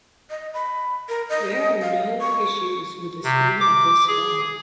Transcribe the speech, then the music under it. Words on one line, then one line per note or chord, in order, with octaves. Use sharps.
There are known issues with the screen of this phone.
D#5
B5
A#4
D#5
F5
C#6
C3
D6
G#4